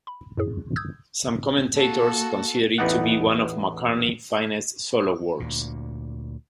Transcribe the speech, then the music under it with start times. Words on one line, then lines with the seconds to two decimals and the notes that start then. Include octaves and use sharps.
Some commentators consider it to be one of McCartney's finest solo works.
0.07 B5
0.37 F#2 A2 G#4
0.76 D#6 E6 G6 G#6
1.74 A#3 F#4 A4
2.78 A1 E2 B3 D#4 D5 F#5
5.40 D2 A#2